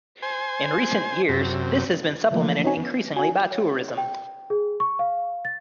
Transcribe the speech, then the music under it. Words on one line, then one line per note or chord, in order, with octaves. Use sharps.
In recent years this has been supplemented increasingly by tourism.
C5 G#5
F#2 C3
C#3 E3 F3 A3 A#3
C4 C#4 D#4 F#4 C#5 G#5
B3
F#4 G#5
C#5
G5
G#4
C#6
F5
A6